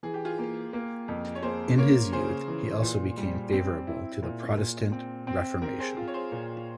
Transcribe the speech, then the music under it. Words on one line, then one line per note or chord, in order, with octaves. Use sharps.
In his youth, he also became favourable to the Protestant Reformation.
E3 G#4
G4
F4 G#4
A#3
A#3
F2
C#5
A#3 G#4 C5
A#3 A#4 C#5
C#3 G#4 C5
E3
A#2
G3
C4
E4
A#2
A#2
C4
C4
C4 G4 A#4
G#4 C5
F4
C#5
G#4 C5
A#2